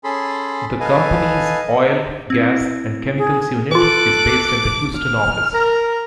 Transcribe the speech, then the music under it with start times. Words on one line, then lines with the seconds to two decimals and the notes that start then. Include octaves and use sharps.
The company's Oil, Gas and Chemicals unit is based in the Houston office.
0.04 C#4 G#4 A4 B5 C6
0.80 A4 B4 D#5 F5 G#5
1.62 D#5
1.85 D#4
2.30 C4 E4
3.18 G#4
3.72 E3 F4 A4 D6 F#6
4.97 F6
5.54 A#4 A#5